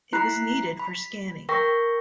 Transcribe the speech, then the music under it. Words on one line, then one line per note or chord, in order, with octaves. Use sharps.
It was needed for scanning.
E4 A#5 B5 F#6 C7
B5
A#4 G5 C#6 A#6